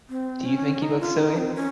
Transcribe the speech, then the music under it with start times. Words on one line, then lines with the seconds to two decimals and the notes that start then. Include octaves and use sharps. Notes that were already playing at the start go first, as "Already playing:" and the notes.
Do you think he looks silly?
0.09 C4
0.45 C#4
0.82 D#4
1.00 F4
1.19 D#4
1.37 C4
1.55 C#4